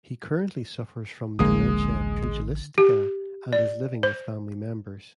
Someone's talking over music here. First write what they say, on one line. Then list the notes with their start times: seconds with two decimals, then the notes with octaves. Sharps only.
He currently suffers from dementia pugilistica, and is living with family members.
1.39 D1 A1 D3 F3 G#3 A#3 D#6
2.78 G4
3.53 D5
4.03 C5